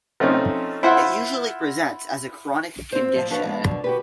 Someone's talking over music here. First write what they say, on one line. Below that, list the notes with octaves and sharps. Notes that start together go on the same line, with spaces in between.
It usually presents as a chronic condition.
F3 A3 C4 C#4 D#4
E4 F4 C5 E5 F#5
C4 F4 C5
A2 F3
F3 D4 F#4 A4 B4 C#5
G#3 B3 F4
B2 D3
F#4 G4 B4